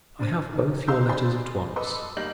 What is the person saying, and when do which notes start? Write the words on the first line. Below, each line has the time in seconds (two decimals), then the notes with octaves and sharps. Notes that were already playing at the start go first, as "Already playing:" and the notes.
I have both your letters at once.
0.19 D3 D4 C5 D#7
0.48 G1 D#3
0.87 C2 D#4 F5 C6 E6 G6
1.08 D#4 C5 D5 G#5 B5 C6
1.76 A4 B4 D#5 B5 C6 D6
2.16 B1 G3 A#3 G6 A#6 F#7